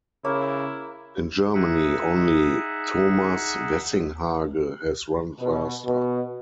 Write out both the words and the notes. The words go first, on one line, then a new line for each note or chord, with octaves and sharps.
In Germany only Thomas Wessinghage has run faster.
C#3 A#3 E4 C#5
D#4 G#4 E5 F#5
B2
B2